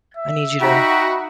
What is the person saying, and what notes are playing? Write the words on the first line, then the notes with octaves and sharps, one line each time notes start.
I need you to
E5
D#4 F#4 G5 A#5 B5